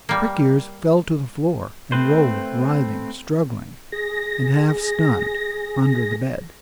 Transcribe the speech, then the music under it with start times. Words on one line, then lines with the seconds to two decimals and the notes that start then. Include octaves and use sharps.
Prick-ears fell to the floor, and rolled, writhing, struggling and half-stunned, under the bed.
0.09 G3 A#3
1.92 A3 C4 B4 C5
3.92 G#4 A#6